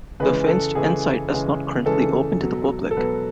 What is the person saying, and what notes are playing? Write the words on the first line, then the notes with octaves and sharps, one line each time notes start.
The fenced-in site is not currently open to the public.
C#3 E3 G#3 B4
A4
C#3 E3 G#3 G#4
C#3 E3 G#3
C#3 E3 G#3 A4
B2 F#3
A4
B2 F#3 B4